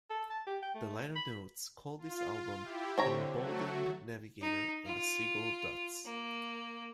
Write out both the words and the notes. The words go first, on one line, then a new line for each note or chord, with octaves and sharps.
The liner notes call this album Emboldened Navigator and the Seagull Dots.
A4
A5
G4
G5
A3
B5
F4
E4 G4
D3 C4 C#5 A#5
F#3 A3 F#4
D#4
F4
A#3